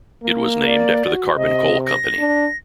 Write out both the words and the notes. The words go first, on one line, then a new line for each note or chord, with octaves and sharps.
It was named after the Carbon Coal Company.
A#3
D5
F#4
C3 D#5
A#6
D4